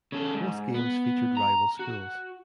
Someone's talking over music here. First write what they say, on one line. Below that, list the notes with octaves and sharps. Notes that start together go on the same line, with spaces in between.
Both games featured rival schools.
C#3 A4
G#2
B3
A#5
F#4